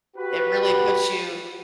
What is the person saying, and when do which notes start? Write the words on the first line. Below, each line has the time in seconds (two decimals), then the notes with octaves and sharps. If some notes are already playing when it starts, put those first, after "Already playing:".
It really puts you,
0.17 F#4 G4 B4